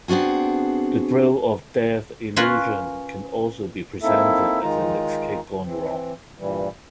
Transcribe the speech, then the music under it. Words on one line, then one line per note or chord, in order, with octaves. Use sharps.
The Drill of Death illusion can also be presented as an "escape gone wrong".
B3 C4 D4 F#4 G#4
C#4 F4 A#4 B4 C#5 F#5
A#3 C4 D#4 E4 A4 E5
D#3 G#3 D#4 F4 A#5
E3 C4
G2 A#2 E3 G3